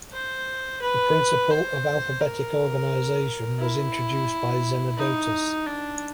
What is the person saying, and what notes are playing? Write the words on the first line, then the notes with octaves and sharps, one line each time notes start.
The principle of alphabetic organization was introduced by Zenodotus.
C5
B4
C5
A#4
E4
D#4
D4